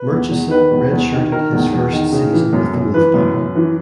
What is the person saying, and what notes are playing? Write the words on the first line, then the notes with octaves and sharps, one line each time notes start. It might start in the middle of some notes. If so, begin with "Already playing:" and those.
Murchison redshirted his first season with the Wolfpack.
Already playing: B4
E2
E2
D#3 B4
E2
E2
D#3
D#3 A#4
E2
E2
D#3
C#3
E3
F#2
F#2
E3 B4
F#2
F#2
E3